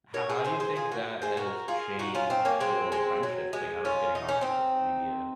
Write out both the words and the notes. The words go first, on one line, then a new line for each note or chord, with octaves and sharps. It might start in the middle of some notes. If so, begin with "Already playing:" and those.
How how do you think that has changed your friendships? Like, how was getting off of social media
A#4 C#5
G#4 C5
G#4 C5
G#4 C5
F4 G#4
F#4 A#4
G#4 C5
F#4 A#4
F4 G#4
D#4 F#4
C#4 F4
C4 D#4
A#3 C#4
G#3 C4
G#3 C4
F#3
G#3
C#4 F4
D#4
C#4
C4 D#4